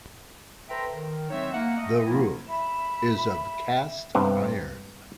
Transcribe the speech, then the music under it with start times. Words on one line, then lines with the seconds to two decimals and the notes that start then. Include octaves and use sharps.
The roof is of cast iron.
0.70 A4 B4 C5 E5 G5 A#5
0.94 D#3
1.30 F#3 G#3 C4 D#4 C#5 E5
1.53 A#3 F#5
1.77 A3 D#5
2.05 G#2 F3 A#3 B3 E4
2.49 E5 B5
4.15 G2 C3 B3